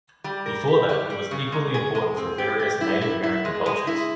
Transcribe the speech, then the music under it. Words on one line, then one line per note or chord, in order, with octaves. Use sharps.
Before that, it was equally important for various Native American cultures.
G3
A#4
G4
G3
G3
C#3
G#3
G#4
G#3
C4
G4
G4
E4
E4
E4
G#3
G#3
E4